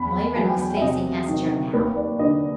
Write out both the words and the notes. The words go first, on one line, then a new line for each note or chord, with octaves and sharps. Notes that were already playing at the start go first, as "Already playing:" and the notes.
Myrin was facing Estra now.
Already playing: E2 B5
F#3 G#5
G5
G#5
E5
C3 D#5
D#3
D#2 B4
D5
D3 D#5